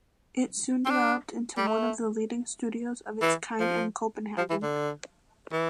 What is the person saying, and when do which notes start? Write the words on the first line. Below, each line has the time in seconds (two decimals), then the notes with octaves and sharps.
It soon developed into one of the leading studios of its kind in Copenhagen.
0.86 C4
0.91 D4
1.57 G3
1.67 A3
3.21 E3
3.60 F3
4.38 F3
4.50 E3
4.63 D3
5.52 E3